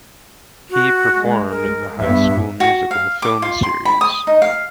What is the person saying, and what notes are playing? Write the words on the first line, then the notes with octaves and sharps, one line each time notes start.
He performed in the "High School Musical" film series.
F#4
G#3
A#4
G2 B3 E5
F#4
F5
D6
F4
C6
B5
D#6
D#4
F5